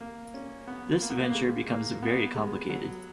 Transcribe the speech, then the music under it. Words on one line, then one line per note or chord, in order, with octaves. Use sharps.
This venture becomes very complicated.
A#3
C#4
B3
A#3
B3
A#3
A#3
G#3
A#3
B3
G#3
F#3